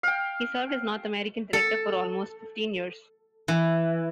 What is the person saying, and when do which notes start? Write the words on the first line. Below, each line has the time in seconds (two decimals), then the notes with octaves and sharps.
He served as North American Director for almost fifteen years.
0.03 F5 G5
1.53 A4
3.48 E3